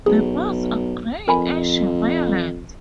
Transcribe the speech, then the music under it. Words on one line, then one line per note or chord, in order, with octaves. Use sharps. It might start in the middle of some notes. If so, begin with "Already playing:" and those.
The buds are grey-ashy-violet.
B1 G#4
F2 A#4 G#5 B5